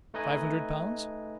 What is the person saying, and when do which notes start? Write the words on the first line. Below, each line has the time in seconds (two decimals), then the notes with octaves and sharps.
Five hundred pounds?'
0.14 A3 D#4 B4 D#5 G#5